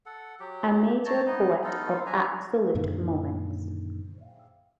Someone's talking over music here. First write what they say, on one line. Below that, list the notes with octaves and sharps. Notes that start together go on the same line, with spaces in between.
A major poet of absolute moments.
A4 F#5
F#3 G4
A3 C#5 A5 A#5
B3 D#4 D#5
B3 D#4 F4 A4
D4 E5 G#5 A#5
F#2 A#2 D3 D#3